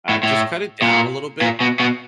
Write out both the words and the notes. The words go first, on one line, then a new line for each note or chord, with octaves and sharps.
Uh, just cut it down a little bit,
A2
A2
A#2
A#2
B2
B2